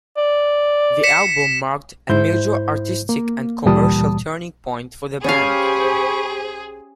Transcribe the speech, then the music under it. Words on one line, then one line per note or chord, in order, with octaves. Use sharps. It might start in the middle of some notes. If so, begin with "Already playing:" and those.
The album marked a major artistic and commercial turning point for the band.
D5
B6 C#7 E7
G#2 E4 C5 G6
A#3
D2 A#2 E3 G3 A5 D#6
C#4 G4 G#4 C5 F5 B5 C#6